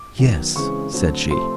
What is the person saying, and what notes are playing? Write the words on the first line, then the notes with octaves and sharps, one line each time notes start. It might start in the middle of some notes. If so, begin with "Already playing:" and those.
"Yes," said she.
Already playing: D6
D#3 F#3 B3
C#3 E3 G#3 C4 C#6
D3 F#3 A3 C4
C3 F3 A3 C4 C6